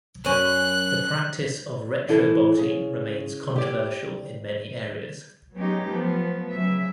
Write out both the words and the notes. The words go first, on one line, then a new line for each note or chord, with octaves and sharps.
The practise of retro-bolting remains controversial in many areas.
F#2 C#4 F#6
E3 E4 A4
C#3 G#4
G4 D5
F#3 G#3 B3 C#4 D#4 G4
F3 F#3 A3 B3
C#3 F#3 E5